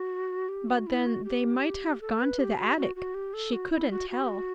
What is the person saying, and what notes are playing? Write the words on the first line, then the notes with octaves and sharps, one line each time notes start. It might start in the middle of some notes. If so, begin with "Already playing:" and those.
But then they might have gone to the attic--she couldn't tell.
Already playing: F#4
G4
F#4
E4
F#4
G4
A4
B4
G4
F#4
G4
F#4
F#4
G4
A4
F#4
E4
F#4
F#4
G4
F#4